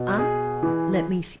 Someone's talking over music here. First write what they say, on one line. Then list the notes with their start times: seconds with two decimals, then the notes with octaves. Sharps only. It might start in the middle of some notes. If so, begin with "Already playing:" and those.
Ah! let me see!
Already playing: B2
0.18 G#4
0.63 E3